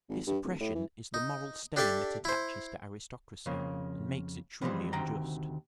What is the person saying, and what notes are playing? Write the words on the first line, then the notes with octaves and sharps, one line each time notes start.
This oppression is the moral stain that attaches to aristocracy and makes it truly unjust.
G#1
G2
D1
A2
E3
D#4
D4 G4 A4 D5 E5 A5
E4 C5
F2 C#3 A#3
E3 F3 G3 G#3 C4
D2 C3 D#3 G5 A#5